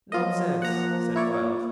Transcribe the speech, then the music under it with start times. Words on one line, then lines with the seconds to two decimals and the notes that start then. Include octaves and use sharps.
"Nonsense," said Files.
0.12 F3 F#3 F4 D#5
0.62 A#3 F4 F#5 A#5
1.16 E4 C#5 D5